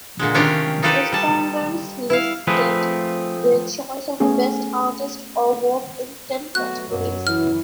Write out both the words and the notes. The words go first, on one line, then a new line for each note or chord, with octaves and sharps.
Respondents listed their choice of best artist or work in ten categories.
A#2 D3 G#3
C3 D#3 C#4 D4 F4 G4
D#4 F4 G4 A4 B4 D5
G3 A5
E4 F5
F3 A3 C4 G#4 B4
A3 B3 C#4 G#4 A4
F#3 A3 B3 F#4 F#6
F#2 B2 F#3
E3 F6